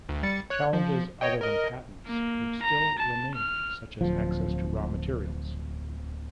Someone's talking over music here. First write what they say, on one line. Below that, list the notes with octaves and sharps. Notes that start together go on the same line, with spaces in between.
Challenges other than patents would still remain such as access to raw materials.
D2
G3 A6 C#7
C#5 F#6
F3
C#5 D#5 G5
A#4 D#5
A#3
A#5
A5
F6
D1 F3